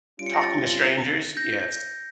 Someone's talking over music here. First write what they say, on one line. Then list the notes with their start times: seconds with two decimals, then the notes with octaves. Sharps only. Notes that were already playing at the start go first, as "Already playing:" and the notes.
Talking to strangers? Yes.
0.19 G3 C#4 F4 D7
0.26 C#7
0.34 A#6
0.41 A6 C#7
1.37 G6 A#6